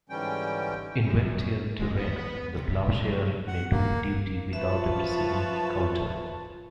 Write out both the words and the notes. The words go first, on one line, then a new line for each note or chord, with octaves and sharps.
In well-tilled terrain the plowshare may do duty without a preceding coulter.
G#2 D3 E3 G3 C#4 G5
F#2
G#3
B3
B4 F#5
C3
F#3
F#5
A#3
F3 F4 B4 C#5 E5 A5